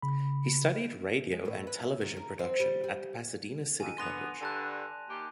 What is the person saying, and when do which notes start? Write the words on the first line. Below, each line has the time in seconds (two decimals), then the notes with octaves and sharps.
He studied radio and television production at Pasadena City College.
0.02 C#3 B5
1.31 G#3
1.45 A2
1.67 B4
1.82 E5
2.01 D#3
2.17 A#4
2.39 C4
2.60 G3
2.84 G3
3.80 F2 G#5 D#7
3.98 D3 B3 C6 A#6 F7
4.41 G2 D3 G#5 A5 F#6
5.09 D#2 G4